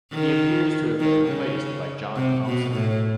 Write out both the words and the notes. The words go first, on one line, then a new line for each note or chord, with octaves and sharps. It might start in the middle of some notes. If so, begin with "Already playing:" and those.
He appears to have been replaced by John Thompson.
D#3
D#3
C#3
C3
B2
A2